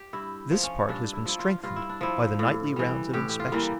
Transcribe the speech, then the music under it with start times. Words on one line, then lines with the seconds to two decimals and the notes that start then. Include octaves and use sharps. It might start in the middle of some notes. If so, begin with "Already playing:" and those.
This part has been strengthened by the nightly rounds of inspection.
Already playing: G4
0.13 G2 E4
0.51 F3
0.63 C#4
0.89 G2 D4
1.13 E4
1.26 F3 E4
1.39 F4
1.63 G2 F4
1.76 E4
1.89 D4
2.01 F3 E4
2.39 A2
2.76 E3 G3
3.13 A2 G4
3.29 G4
3.40 F4
3.52 E3 G3 A#3